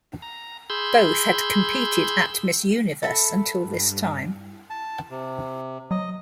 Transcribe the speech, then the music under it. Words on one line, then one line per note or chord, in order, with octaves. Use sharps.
Both had competed at Miss Universe until this time.
A#5
G#4 B5 C6 E6 G6
A4 E5 B5
G2
A5
C3
F#3 D#5